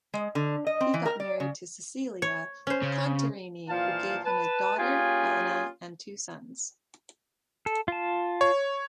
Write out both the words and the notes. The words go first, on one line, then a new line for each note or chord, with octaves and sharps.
He got married to Cecilia Contarini who gave him a daughter, Elena, and two sons.
G#3
D3
D#5
C4
E3
A#4
D5
C#3
C#5
C#4 C5
C#3
A#2 E3 F3 F4 F5 A5
B4 A5
A#3 C#4 F4 G4 G#4 G#5
A4
F4 A5
C#5